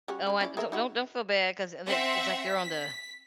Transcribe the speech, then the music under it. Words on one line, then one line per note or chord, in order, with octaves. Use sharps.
Oh, I d don't don't don't feel bad, 'cause, i like it's, like, they're on the
G3 C#4 F#4
C#3 G#3
C#4 E4 D5
G#4 A#4 E5
D#4 E4 F#4
C4 E5 F#5
B6